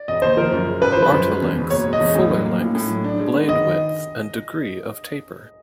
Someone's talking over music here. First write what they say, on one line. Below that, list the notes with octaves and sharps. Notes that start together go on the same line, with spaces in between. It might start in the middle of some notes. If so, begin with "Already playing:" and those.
Artilength, fuller length, blade width and degree of taper.
Already playing: D5
E1 D#5
D#2 C5
F3 A#4
F#2
C#3
G#1 B4
F3 C5
B4
F#2
G#3
E2
B2
F#1 C#5
G#3
D#5
E2
A2
F#3
A#3
A2
A2
F#3
D4
G#3
B3
D#3 D#5